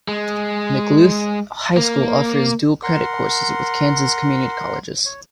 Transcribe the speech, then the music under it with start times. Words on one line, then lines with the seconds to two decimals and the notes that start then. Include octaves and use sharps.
McLouth High School offers dual credit courses with Kansas community colleges.
0.08 G#3
1.77 A#3
2.83 A#4 F#5 C6
5.05 C#5